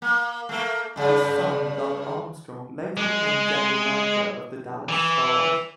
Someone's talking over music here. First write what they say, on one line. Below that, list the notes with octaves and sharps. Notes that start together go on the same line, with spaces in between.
His son, Doug Armstrong, later became General Manager of the Dallas Stars.
A#3
A3 A#3
G2 C#3
G#3
E3